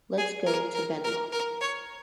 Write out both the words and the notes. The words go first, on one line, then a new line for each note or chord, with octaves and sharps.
Let's go to Benlloc.
G#4
A#4
A#4
A#4
A#4
C#5